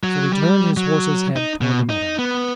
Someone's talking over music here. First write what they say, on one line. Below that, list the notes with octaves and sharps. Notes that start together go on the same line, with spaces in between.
So he turned his horse's head toward the meadow.
F#3
G3
F#3
D#4
B2
D#4
B3